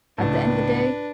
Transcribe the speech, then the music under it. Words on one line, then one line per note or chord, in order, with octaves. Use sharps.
at the end of the day,
C#2 A2 D4 B4